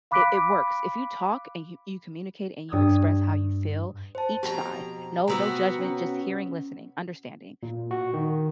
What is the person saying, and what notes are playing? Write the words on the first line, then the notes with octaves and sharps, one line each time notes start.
it it works, if you talk and y you communicate and you express how you feel, each side, no no judgment, just hearing, listening, understanding,
F5 B5 D6 F#6 B6 D7
G2 D#6 E6 G#6
C5 A5
F2 B2 G4 A#5
C3 B3 F#4 A#5 E6
C#4
A#2
F#4
D#3